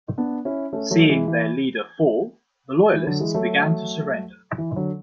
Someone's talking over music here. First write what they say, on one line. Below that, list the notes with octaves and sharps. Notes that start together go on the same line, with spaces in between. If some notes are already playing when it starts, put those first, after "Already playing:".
Seeing their leader fall, the Loyalists began to surrender.
B3 D4
C#4 E4
A3 C#4
F#3 A3
E3 G#3
E3
E3
D3 F#3
E3 G#3
F#3 A3
E3
D3 F#3